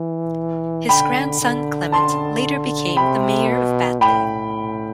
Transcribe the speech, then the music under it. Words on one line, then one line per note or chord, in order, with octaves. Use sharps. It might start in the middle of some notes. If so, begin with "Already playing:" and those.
His grandson Clement, later became the mayor of Batley.
Already playing: E3
D3 G5 B5
D3
A5 C6
C3 G5 B5
B2
A2 G5 B5